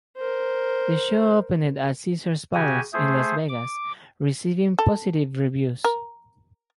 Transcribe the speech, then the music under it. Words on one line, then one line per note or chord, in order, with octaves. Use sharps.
The show opened at Caesars Palace in Las Vegas, receiving positive reviews.
A#4 C5
C#3 F#4 G4 G#5
A3 G#4 C5
D6
A4
A#4